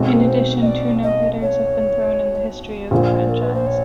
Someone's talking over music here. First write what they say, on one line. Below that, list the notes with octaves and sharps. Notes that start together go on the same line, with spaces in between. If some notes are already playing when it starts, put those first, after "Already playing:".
In addition, two no-hitters have been thrown in the history of the franchise.
Already playing: B1 B2 G#3 C4
A#4
B4
C5
D#5
D5
D#5
C#5
A#1 A#2 F3 C5
A#4
B4
C5
C#5